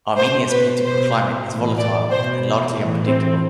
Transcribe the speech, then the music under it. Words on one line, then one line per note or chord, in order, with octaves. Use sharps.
Armenia's political climate is volatile and largely unpredictable.
B2 C5
B4
B2 C5
A2 E3
D5
B2 C5
A2 E3
C4